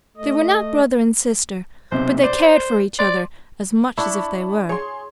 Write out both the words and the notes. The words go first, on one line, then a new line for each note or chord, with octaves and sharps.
They were not brother and sister; but they cared for each other as much as if they were.
A3 D#5
B1 C3 C5
C5 D5
D5 C6
D4 E4 A5 B5 C#6
G#4 C#5 C6